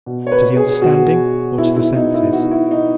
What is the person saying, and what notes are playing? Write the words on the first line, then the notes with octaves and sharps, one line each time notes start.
To the understanding or to the senses?
B2
C#5
B4
G#4
B2 F#4
B2 E4
E4
D#4
E4
B2 F#4
E4
D#4